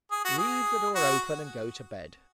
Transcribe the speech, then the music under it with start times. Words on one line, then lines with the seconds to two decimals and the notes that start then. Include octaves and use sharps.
Leave the door open, and go to bed.
0.11 G#4
0.25 F#4
0.37 G#4
0.95 F#4